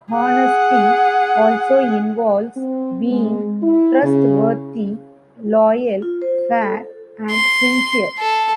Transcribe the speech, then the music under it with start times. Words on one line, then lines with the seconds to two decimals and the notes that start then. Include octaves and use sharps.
Honesty also involves being trustworthy, loyal, fair, and sincere.
0.14 G#4 F#5
2.57 C4
3.10 G#3
3.63 E4
4.03 C#3
6.02 F4
6.22 C5
6.38 C5
6.62 A4
7.30 C6
8.19 A4